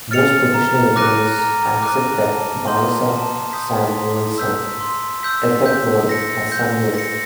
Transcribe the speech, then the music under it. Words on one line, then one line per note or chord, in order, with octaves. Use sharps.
Most professional economists accept that the Balassa-Samuelson effect model has some merit.
F6 A6 C#7 F7
A#5
D6 F#6 A#6 D#7
A#5
D6 F#6 A#6 D#7
A5
C6 D#6 G6 B6
A5
C6 D#6 G6 B6
C6
E6 G6 B6
C6
E6 G6 B6
G6
A#6 C#7
G6
A#6 C#7